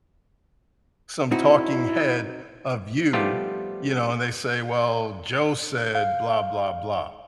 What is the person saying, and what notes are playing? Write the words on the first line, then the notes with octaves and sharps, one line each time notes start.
some talking head of you, you know, and they say, "Well, Joe said, 'Blah, blah, blah.'"
C4 D#4 E4 F#4
F3 G3 A3 B3 F4 G4
F5